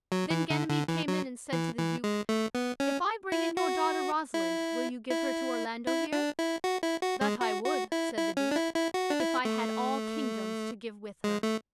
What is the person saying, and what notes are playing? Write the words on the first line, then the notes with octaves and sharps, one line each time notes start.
Then Ganymede came in and said to the Duke, "If I bring in your daughter Rosalind, will you give her to Orlando here?" "That I would," said the Duke, "if I had all kingdoms to give with her."
F#3
E3
D3
D3
E3
F#3
E3
E3
G#3
A3
B3
C#4
E4
F#4
E4
E4
E4
D4
E4
F#4
E4
F#4
G#3
F#4
F#4
E4
E4
C#4
D4
E4
E4
F#4
D4
E4
A3
G#3
A3